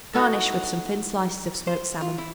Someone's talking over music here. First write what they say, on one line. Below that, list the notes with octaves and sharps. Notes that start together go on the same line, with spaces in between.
Garnish with some thin slices of smoked salmon.
D#4 E4 F#4 A4
C5
F4
E4